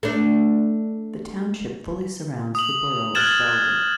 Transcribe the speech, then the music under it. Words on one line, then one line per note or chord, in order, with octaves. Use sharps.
The township fully surrounds the borough of Bellwood.
A3 D4
D#6 F#7
F6 F#6 G#6 A6 E7 F#7